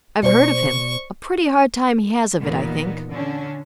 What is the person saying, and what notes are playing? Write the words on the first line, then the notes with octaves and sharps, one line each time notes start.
"I've heard of him; a pretty hard time he has of it, I think."
B2 C5 D5 C#6
D#2 A#2 E3 A#3 B3 D#4
D3 C#4 D4